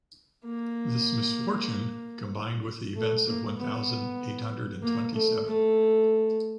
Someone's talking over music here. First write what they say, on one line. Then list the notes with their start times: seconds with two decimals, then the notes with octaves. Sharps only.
This misfortune combined with the events of one thousand eight hundred and twenty-seven.
0.44 A#3
2.95 A3
3.26 A#3
3.57 B3
4.83 A#3
5.14 A3
5.45 A3